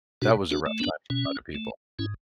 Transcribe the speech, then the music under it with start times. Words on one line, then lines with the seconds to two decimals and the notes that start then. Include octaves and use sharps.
that was a rough time for a lot of people.
0.22 B2 D4 F#4
0.51 D4 F#4
0.66 A3
0.80 B3 D4
1.10 B2 C#4
1.55 A3
1.99 G#2 C#4 E4